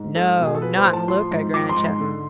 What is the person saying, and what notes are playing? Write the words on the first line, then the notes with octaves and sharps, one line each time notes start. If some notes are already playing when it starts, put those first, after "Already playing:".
'No! not in look, I grant yo'.
Already playing: G#2
G#3 A4
B2
G#4
A4
F3 B4
C5
A2
A5
F3 C6
G#2
F3 D6
C6
G#2
C6
D3